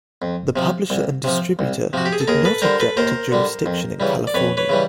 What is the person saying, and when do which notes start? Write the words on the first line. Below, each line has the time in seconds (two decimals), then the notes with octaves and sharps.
The publisher and the distributor did not object to jurisdiction in California.
0.22 F2
0.56 C3 F3
0.90 C2
1.24 C3 F3
1.59 C2
1.93 C3 F3 F#4
2.05 G4
2.13 G#4
2.20 A4
2.28 D#2 G#4 A#4
2.45 A4 B4
2.62 D3 G3 A#4 C5
2.80 A4 B4
2.97 D#2 A#4 C5
3.32 D3 G3
3.66 F2
4.00 C#3 E3 G3
4.27 D5
4.34 F2 B4 C#5
4.57 B4 C#5
4.69 C#3 E3 G3